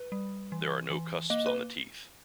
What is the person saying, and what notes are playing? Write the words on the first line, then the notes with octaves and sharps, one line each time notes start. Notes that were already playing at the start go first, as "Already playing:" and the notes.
There are no cusps on the teeth.
Already playing: B4
G3
E3
E3
A#3 D#5
B4